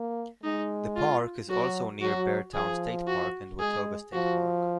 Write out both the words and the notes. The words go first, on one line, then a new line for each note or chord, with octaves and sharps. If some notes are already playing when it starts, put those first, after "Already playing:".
The park is also near Beartown State Park and Watoga State Park.
Already playing: A#3
G#3 D#4
F4
F#3 F#4
F#3 F#4
F3 G#4
F#4
G#3 G#4
F3 F#4